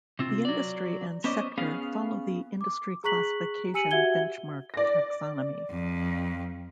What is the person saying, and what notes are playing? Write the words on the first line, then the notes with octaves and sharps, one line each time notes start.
The industry and sector follow the Industry Classification Benchmark taxonomy.
C3 C4 F4
F#3 D5
B3 C#4 C5 D5 D#5
B3 C#4 G#4 F5
D6
G#4 A#5 C#6 F#6 B6 F#7
G4 G#5 E6 C#7 D#7 F#7
F#4 G4 E5 F#5 G#6 G7
D5 A#6
F2